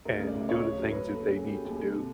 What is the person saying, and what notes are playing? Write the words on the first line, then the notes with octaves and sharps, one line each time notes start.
and do the things that they need to do,
D2 A#4
C#3
D5
D2
D2 C#5
C#3
F#3
A#4
F#3 B4
A#3
A4
C#3
C#3 G#4
G4
F#3
G4
D#2 G#4
C3 A4
C3